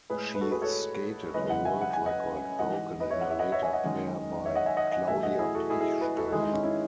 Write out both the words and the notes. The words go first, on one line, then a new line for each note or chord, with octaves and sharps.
She skated a world record broken in a later pair by Claudia Pechstein.
A2 G#3 G#4 B4
B4
F#4 A4
G#4 B4
A4 C#5
F#2 C#3 E3 G#3 B4 D#5
D#5 F#5
E5 G#5
F#5
G#5
D#5 F#5
G#2 E3 G#3 D#5 F#5
B4 D#5
C#5 E5
F#5
E5
D#5 F#5
C#5 E5
E5 G#5
D#5 F#5
F#2 D#3 G#3
C#5 E5
D#5 F#5
E5 G#5
D#5 F#5
D#5 F#5
E2 B2 F#3 A3 E5 G#5
D#5 F#5
E4 G#4
F#4 A4
E4 G#4
E4 G#4
G#4 B4
F#4 A4
A4
G#2 D#3 G#3 E4 G#4
D#4
C#4 E4
C#4 E4